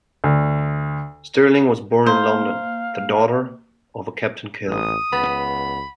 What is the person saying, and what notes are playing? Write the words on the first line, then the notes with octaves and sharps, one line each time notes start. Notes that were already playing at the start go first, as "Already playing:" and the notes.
Stirling was born in London, the daughter of a Captain Kehl.
D2
A#3 C5 F5 A#5
A1 D#6
C#2 B3 B5